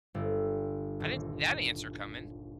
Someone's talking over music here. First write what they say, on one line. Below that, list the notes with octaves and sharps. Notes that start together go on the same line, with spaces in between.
I didn't see that answer coming.
G1
D#1